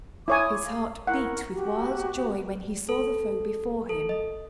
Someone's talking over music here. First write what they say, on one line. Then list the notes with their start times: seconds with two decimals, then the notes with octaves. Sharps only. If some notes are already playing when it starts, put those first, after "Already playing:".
His heart beat with wild joy when he saw the foe before him.
0.28 E4 C#5 G#5 D6 D#6
0.65 F5
1.07 E4 A#4 F#5 C#6
1.53 F#4 G4
2.89 A4
3.89 A4
4.09 D#5